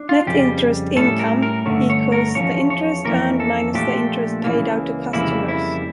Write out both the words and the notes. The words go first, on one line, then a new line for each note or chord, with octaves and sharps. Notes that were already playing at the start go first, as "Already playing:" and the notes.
Net interest income equals the interest earned minus the interest paid out to customers.
Already playing: D4
F4
F2 C#3 G3 C#4 G4
A2 G3 C#4 A4
A#4
A#4
G2 D3 A3 C#4
C#5
A#4
E2 C#3 F3 C#4 C#5
C#5
F2 E3 A#3 C#4 A#4
A4
A#2 F3 A3 D4 G4
C#2 C#3 E3 A#3
F2 C#3 E3 G3 A#3 E4
E4